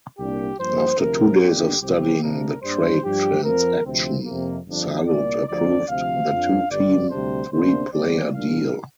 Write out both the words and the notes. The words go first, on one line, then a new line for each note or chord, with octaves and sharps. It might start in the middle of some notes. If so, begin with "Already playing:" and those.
After two days of studying the trade transaction, Salud approved the two-team, three-player deal.
C2 A#2 A#3 D4 G4
G2 F3 A#3 C5
D2 C3 F3 A#4
G1 F2 D3 A#3 D4 G4
C2 C3 F3 C4 G4
C2 C3 G3 A#3 D4 A#4
G2 G3 A#3 D4 C5
G2 F3 D4 G4
F2 F3 C4 A#4
D2 C3 F3 C4
F2 C3 A#3
G1 F2 F3 D4
C2 A#2 A#3 D5
D2 D3 F3 D5
D2 C3 F3 F5
F2 F3 D4
G1 G2 G3 D5
D2 C3 G3 D4 C5
D2 C3 A#3 D4 C5
D2 D3 G3 C4 D5
C2 A#2 G3 D4 F5